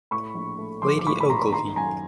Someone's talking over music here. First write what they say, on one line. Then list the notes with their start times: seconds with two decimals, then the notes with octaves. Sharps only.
Lady Ogilvy.
0.11 A2 B5 C#6
0.35 A#1
0.58 A3
0.82 F3 C6 D6
0.99 D6
1.06 A2 B5 C#6
1.20 B5
1.30 A#1 A#5 C6
1.53 D#3 A#5 C6
1.76 F#2 G#5 A#5